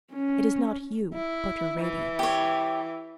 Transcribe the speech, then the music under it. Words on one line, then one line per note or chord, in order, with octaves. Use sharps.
It is not you, but your radiance.
C#4
E4
E3
G4 C#5